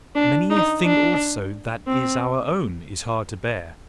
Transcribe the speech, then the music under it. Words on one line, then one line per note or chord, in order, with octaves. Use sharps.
Many a thing also that is OUR OWN is hard to bear!
D4
D#4
D4
C4